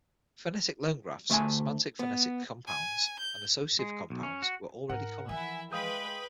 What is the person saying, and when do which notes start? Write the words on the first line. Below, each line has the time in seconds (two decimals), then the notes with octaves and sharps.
Phonetic loan graphs, semantic-phonetic compounds, and associative compounds were already common.
1.30 D2 A3 E5 F#5 G#5
1.99 B3
2.67 G#5
3.19 G6
3.79 G#3
4.10 B1
4.23 C#4
4.42 F#4
4.90 G#2 A#4 F#5
5.29 E3 F3 E4 E5 G#5
5.72 G#3 B4 F5 G5 B5 D#6 G6